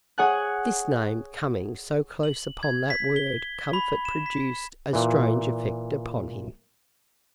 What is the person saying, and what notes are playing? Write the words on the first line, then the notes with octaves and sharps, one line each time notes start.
This name coming so close upon that word comfort produced a strange effect upon him.
G#4 C#5 F#5 G#5 F#6
F#7
G#6
B6
G7
B5
E7
B6
A#2 E3